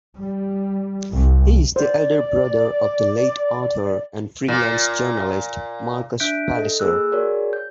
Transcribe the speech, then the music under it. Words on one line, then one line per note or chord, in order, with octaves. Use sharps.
He is the elder brother of the late author and freelance journalist Marcus Palliser.
G3
C2
C5 D5
A#2
D4 E5 F#6 G6 B6 D7
A4 D#5
A#3 G#4 E6 F#6
F#4 G#4 A#4 C#5 D5
G6